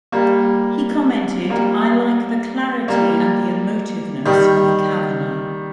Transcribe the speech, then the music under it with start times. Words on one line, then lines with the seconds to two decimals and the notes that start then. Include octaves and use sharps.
He commented: I like the clarity and the emotiveness of Kavanagh.
0.12 G3 A#3
1.50 G3 A#3
2.88 G3 A#3
4.26 D#3 G3